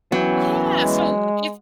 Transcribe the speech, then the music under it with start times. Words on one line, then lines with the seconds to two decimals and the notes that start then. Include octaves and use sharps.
Yeah. So if
0.12 E3 F#3 B3 C#4 G5
0.78 G#3